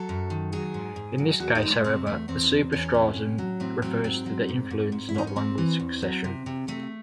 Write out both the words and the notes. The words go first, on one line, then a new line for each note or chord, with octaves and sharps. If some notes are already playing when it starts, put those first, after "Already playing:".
In this case, however, the superstratum refers to influence, not language succession.
Already playing: F#3 A4
F#2
D#3
F#3 G#4
G#2
G#2
F#3
E2 F#4
D#4
G#3
A3
C3 C4
E2 A3
E2 C4
E2
E2 C#4
C3
A2
F#3
A2 C4
F#3 C4
G#2 C4
F#3
G#2
G#2
G#2
E4
G#2 D#4
C#4
G#2 C4
E3
E2
F#3
C3
C3
C3 A3